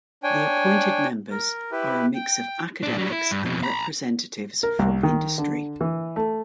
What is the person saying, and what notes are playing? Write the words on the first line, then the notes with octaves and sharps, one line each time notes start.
The appointed members are a mix of academics and representatives from industry.
D4 C#5 G5 G#5
A#4
E4 G4 B4
G5
A#2 D4
F#3 G3
E4
G2
F2 B2
A#5 B5
A#4
C2
D#3
D3
E3
A3